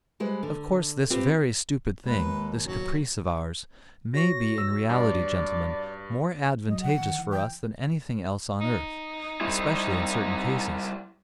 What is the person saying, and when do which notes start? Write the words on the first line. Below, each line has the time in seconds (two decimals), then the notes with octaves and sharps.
Of course, this very stupid thing, this caprice of ours, may be in reality, gentlemen, more advantageous for us than anything else on earth, especially in certain cases.
0.20 G3 G#3 B4 C5
0.43 D3
1.10 C4 F4 G4 B4 C5
2.06 D#2 G#3 B4
2.65 F#2 A2 C#3 F#3
4.13 F#4 C#5 C#6 A#6
4.58 E6
4.89 G2 D5
6.68 F#3 D#5
6.82 F#5
7.00 D#3
7.19 E3
7.32 G5
8.61 D#4
9.41 G3 E4